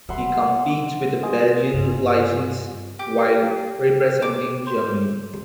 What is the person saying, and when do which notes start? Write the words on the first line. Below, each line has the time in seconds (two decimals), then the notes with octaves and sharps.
He competes with a Belgian licence, while representing Germany.
0.09 G3 E5 F#5 C6
1.23 F4 D#5 G#5
1.74 G2
2.99 G4
4.22 D6
4.67 C5